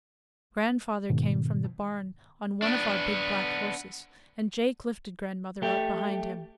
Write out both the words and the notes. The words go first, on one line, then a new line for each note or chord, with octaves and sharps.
Grandfather came from the barn on one of our big black horses, and Jake lifted grandmother up behind him.
G#2 B2 D#3
B3 D4
A3 G4